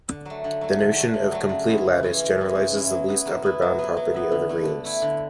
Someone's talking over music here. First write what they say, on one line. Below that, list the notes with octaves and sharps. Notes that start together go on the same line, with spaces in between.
The notion of "complete lattice" generalizes the least-upper-bound property of the reals.
D3
F#3 A3
D3
F#3 A3
D3
F#3 A3
D3
F#3 A3
C#3
E3 G#3 C#4 E4
C#3
E3 G#3 C#4 E4
C#3
E3 G#3 C#4 E4
C#3
E3 G#3 C#4 E4
F#3
B3 E4
F#3
B3 E4
F#3
B3 E4
F#3
B3 E4
D3
A3 E4
D3
A3 E4
D3